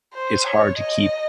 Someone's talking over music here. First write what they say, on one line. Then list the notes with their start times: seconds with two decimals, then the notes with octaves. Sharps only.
it's hard to keep
0.14 C5
0.46 C#5
0.78 D#5